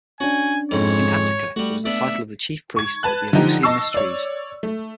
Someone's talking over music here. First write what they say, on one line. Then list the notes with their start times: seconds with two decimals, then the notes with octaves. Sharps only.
In Attica it was the title of the chief priest at the Eleusinian Mysteries.
0.20 C#4 D4 F#4 G#5
0.71 F2 G#2 C#3 C#5
1.56 G3 A3 F#4
1.85 B3 D4 D5 E5
2.76 C#6 G#6
3.03 B4 A5 F#6
3.33 D3 F3 D#4 G4
3.63 D#5 A5 C#6 E6 C7
3.94 C#5 D5
4.63 A3